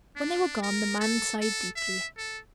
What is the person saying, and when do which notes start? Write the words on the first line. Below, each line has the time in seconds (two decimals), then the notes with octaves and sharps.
When they were gone, the man sighed deeply.
0.16 D4
0.62 A#4
1.00 A4
1.41 A4
1.76 E5
2.18 A4